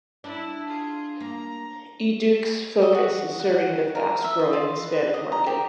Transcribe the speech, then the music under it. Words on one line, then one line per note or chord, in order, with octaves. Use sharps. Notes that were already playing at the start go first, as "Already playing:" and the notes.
EduK's focus is serving the fast-growing Hispanic market.
D4 E4
F4 G#4
A#3 A#5
D#5
F#4
F#5
A#4
E5
D#5
F4
B4
D#5
A#5
G4